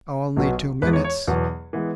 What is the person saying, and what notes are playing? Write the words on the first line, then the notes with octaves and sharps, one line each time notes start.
"Only two minutes."
B1 B2 F#3 B3
E2 E3 G#3 B4
C#5
C#5
E2 B2 F#3 B3
E3 G#3 B3